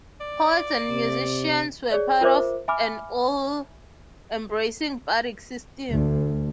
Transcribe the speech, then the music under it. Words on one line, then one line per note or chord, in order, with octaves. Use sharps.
The poets and musicians were part of an all-embracing bardic system.
D5
C3
G#4 C#5 D5
F4 A#4 C5 E5 D6
E5 G#5 B5 D6 F6
D2